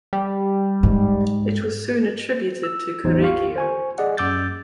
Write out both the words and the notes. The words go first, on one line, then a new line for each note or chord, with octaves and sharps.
It was soon attributed to Correggio.
G3
G#2
E6
A1 E2 D#4 C5
F4 G4 F5 C#6
C5 G#5 C#6
G#4 D5 D#5 F#5
F#2 D6 E6 G6 A6